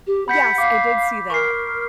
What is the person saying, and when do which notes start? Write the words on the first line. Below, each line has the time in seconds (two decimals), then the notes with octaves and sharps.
Yes. I did see that
0.07 G4
0.28 F#5 B5 G6 B6
0.58 F5 D6
1.30 A#4 C#6 C7